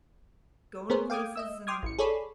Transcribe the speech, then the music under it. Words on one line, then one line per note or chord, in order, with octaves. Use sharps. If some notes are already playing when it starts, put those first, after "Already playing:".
going places and,
B3 G#4 A#4 C5 C#5
F5 G5 D6 D#6 G#6
D#5 E5 E6
G5 C6 D6 D#6 F6 G#6
A1 C#7
G#4 A4 C#5 D5 B5